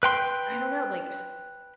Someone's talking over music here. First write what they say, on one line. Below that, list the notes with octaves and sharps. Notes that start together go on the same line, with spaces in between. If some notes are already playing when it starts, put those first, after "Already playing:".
I don't know, like
B4 G5 C6